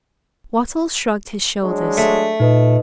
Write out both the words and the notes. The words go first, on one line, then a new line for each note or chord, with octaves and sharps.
Wattles shrugged his shoulders.
F#3 G#3 D4
A3
A#2 D#4 B4 D#5